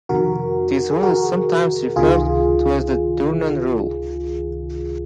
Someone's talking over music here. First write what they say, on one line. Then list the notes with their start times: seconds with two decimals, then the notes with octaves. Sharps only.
This rule is sometimes referred to as the Durnan Rule.
0.09 F2 C3 D#3 F#4 A#4
0.91 G#4
1.03 F#4 A#4
1.96 C#2 C3 D#3 F4 G#4